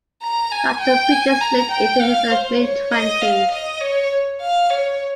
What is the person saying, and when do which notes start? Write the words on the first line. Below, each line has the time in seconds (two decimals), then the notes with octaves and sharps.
Doctor Peaches lived into his mid-twenties.
0.22 A#5
0.52 G#5
0.81 G5
1.11 G#5
1.41 A#5
1.72 G5
2.01 F5
2.31 C5
2.61 C#5
2.91 D#5
3.21 F5
3.51 D#5
3.81 C#5
4.41 F5
4.70 C#5